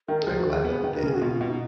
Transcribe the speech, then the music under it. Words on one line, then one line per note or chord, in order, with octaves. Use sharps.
I glad I did it.
D#3 A#4
F3 G#4
F#4
G#4
B3
D#3
B4
A#4
C#3 G#4
F#4
B2 F4
B2
D#4